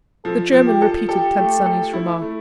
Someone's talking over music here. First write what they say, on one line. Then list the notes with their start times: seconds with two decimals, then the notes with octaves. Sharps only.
The German repeated Tant Sannie's remark.
0.25 F3 A4
0.53 F3
0.67 G4
0.82 A4
1.09 G4 A4
1.38 A3
1.66 A4
1.93 E4
2.22 A3